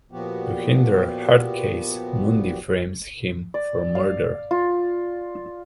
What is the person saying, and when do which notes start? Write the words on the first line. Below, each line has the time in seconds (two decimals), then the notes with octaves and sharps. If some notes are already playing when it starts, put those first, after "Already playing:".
To hinder Hardcase, Mundi frames him for murder.
0.12 A#2 F3 B3 F#4 G4
3.54 D5
3.95 F5
4.51 F4